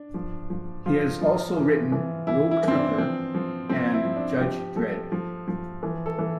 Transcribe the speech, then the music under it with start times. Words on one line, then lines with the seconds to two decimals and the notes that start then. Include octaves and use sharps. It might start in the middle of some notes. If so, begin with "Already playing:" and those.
He has also written "Rogue Trooper" and "Judge Dredd".
Already playing: D4
0.14 F3
0.50 F3
0.86 F3 F4
1.21 F3
1.57 E3
1.92 E3
2.27 E3 E4
2.51 E4
2.63 E3 C4
2.75 D4
2.87 D4
2.98 F3 C4
3.35 F3
3.69 F3 C4
3.93 E4
4.05 F3
4.16 D4
4.40 F3 G4
4.76 F3 A4
5.12 F3
5.48 F3
5.83 E3
6.06 A4
6.19 E3